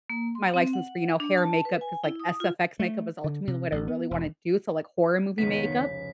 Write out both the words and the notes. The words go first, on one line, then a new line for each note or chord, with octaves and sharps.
my license for, you know, hair and makeup 'cause, like, SFX makeup is ultimately what I really wanna do, so, like horror movie makeup.
A#3
C6
C4
F#5
D4
A5
B4
G#5
E4
D#6
F4
A3
D3
C3
A1
B3
E1
F1 C#2 D#3 B3 B6